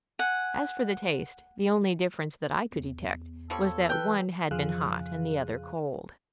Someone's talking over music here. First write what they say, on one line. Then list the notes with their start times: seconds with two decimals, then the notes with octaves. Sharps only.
As for the taste, the only difference that I could detect was that one had been hot and the other cold.
0.19 F#5 G#5
2.73 E2
3.50 F3 G3 A4 C#5
3.90 E3 B4 G5
4.51 F2 C#3 F3 G#4 F5 F#6